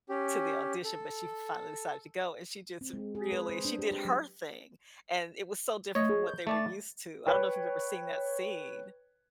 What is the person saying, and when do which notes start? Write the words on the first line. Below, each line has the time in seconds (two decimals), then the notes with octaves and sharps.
to the audition, but she finally decided to go, and she just really she did her thing, and it was so different from what they were used to, I don't know if you've ever seen that scene,
0.09 C#4 G4
0.84 A4
2.81 C4
2.93 G#3
3.15 G#4
3.32 B4
3.49 C5
3.65 D4
3.79 G4
3.91 G4
4.05 F#3
5.95 A3 C#5 D#5
6.09 G#4
6.27 G6
6.47 A3 D5 A5 A6
7.27 B4 C#5 G5